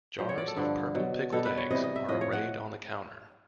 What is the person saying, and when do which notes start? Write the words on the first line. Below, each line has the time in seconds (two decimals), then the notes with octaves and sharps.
Jars of purple pickled eggs are arrayed on the counter.
0.18 A#2 F#3 C5
0.29 C#5
0.38 D5
0.48 A4
0.57 G2 D3 F3
0.95 B2 F#3
1.32 B2 G3 A4
1.45 B4
1.57 C#5
1.71 C3 E3 G3 D#5
1.84 D#5
1.96 E5
2.08 A2 F3 D#5
2.21 C#5
2.33 F#5